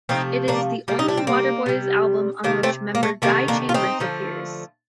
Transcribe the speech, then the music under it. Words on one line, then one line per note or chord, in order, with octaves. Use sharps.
It is the only Waterboys album on which member Guy Chambers appears.
C3 F3 A3 C4 D#4
A#3 D4
C3 G3 A#3
D#4
D4
C4
A#3
C3 G3
C3 D#3 A3 A#3
A3 C4
A#3
A3
C3 D#3 A3 A#3
A#3 D4
F4
C4 D#4
D3 F3 A3